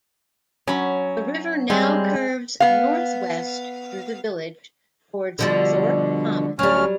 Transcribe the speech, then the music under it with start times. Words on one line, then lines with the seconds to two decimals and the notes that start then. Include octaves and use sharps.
The river now curves northwest through the village towards Thorpe common.
0.67 F#3 C#4 B5
1.70 G3 G#3 C4
2.60 B3 F5
5.39 B2 D3 F3 G3
6.59 D2 F#3 G3 C#4 F6